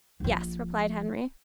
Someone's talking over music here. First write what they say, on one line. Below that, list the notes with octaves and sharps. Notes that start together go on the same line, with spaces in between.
"Yes," replied Henry.
A#1 F3